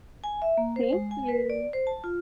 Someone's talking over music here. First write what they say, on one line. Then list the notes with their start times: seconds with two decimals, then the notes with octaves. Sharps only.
Thank you.
0.24 G#5
0.42 E5
0.57 A#3
0.76 C5
0.93 G#3
1.11 G#5
1.28 B4
1.50 D5
1.73 C5
1.87 A5
2.04 F4